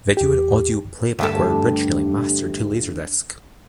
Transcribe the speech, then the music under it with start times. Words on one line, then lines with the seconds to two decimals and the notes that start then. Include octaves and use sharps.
Video and audio playback were originally mastered to laserdisc.
0.17 E2 G4
1.19 D2 G2 A4